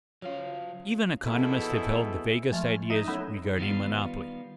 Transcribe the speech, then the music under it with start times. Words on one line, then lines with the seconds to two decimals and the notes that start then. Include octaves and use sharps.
Even economists have held the vaguest ideas regarding monopoly.
0.22 F#3 C#4 F4 C#5 F5
1.24 A#1 B2 E4 G#4 A4
2.52 F3 G#3 A3 F6
2.90 D#4 D#5 E5
3.08 F#3 B3 C#4 E4 A4
3.58 D#3 G3 B3 F4